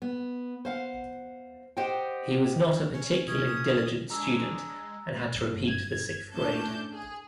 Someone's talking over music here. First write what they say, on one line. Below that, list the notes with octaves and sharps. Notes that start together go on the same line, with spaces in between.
He was not a particularly diligent student and had to repeat the sixth grade.
B3
C5 F5 F#5
G4 C5 D#5 F#5 G5
C#4
C3 C#4 D#6
G#3 D4 G#4 A#5 E6
G1 F#2 A2
G#6
A2 A3 C#4 D4 A5 G6
G#4